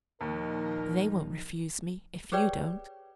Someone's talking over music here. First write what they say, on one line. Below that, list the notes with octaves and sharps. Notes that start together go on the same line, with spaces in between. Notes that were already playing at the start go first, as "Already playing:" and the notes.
'They won't refuse me, if you don't.'
D#2 A#2 F3 D#4 A#4
G4 G#4 B4 C#5 D5 G5